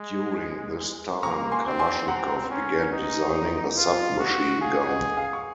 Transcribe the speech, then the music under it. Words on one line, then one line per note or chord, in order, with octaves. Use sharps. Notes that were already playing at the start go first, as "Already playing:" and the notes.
During this time Kalashnikov began designing a submachine gun.
Already playing: G#3
A#3 A#5 C#6
G#5 C6
C4
G#5 C6
C4 F#5 A#5
C#4
D#4
F4
F#4
G#4 F5 G#5
D#5 F#5
F5 G#5
C#6